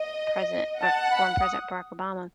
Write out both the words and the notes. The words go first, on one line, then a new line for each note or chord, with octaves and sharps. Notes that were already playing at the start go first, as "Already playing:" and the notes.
President or former President Barack Obama
Already playing: D#5
F#5 A5
A5
B5
D#6